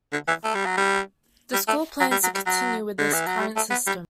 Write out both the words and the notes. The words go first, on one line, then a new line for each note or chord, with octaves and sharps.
The school plans to continue with this current system.
D3
E3
A3
G3
F#3
G3
G3
A3
F#3
G3
F#3
G3
F#3
D3
E3
F#3
G3
A3
B3
G3